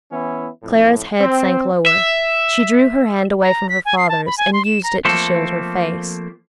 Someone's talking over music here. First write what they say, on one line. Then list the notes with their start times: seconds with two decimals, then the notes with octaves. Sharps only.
Clara's head sank lower; she drew her hand away from her father's, and used it to shield her face.
0.12 E3 B3 C#4 E4
0.63 F2 A2
1.20 C4
1.86 E5
3.42 A#5
3.69 B6
3.85 G#5
3.98 C7
4.09 A5
4.26 B5
4.38 G#5
4.53 C6
4.65 E7
4.83 A#5
5.05 F3 A3 A#3 C4 A4